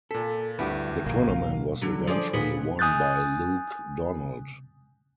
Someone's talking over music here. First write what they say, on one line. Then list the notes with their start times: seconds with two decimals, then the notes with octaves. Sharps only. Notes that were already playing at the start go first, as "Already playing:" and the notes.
The tournament was eventually won by Luke Donald.
0.11 A#2 A4 B6
0.59 D2 G2 B3 E4 G4 D6
1.06 A#1 A#3
1.29 B1 F5
1.81 D3 F#3
2.07 F3 G#4 D5
2.33 A#2 B3 G#4
2.79 G#5 D#6 F#6 G6 A6